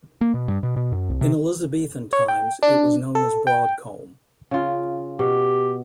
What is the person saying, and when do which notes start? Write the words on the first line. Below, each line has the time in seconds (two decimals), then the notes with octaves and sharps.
In Elizabethan times, it was known as Broad Coombe.
0.21 A#3
0.34 B2
0.48 G2
0.63 B2
0.77 B2
0.92 F#2
1.09 C2
1.21 C3
2.13 C#5
2.28 G5
2.63 D4
3.15 A4
3.47 G5
4.51 C#3 F4
5.19 B2 G4